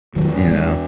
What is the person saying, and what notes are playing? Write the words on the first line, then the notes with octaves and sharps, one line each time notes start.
you know?
E2 B2 D#3 F#3
E3 G#3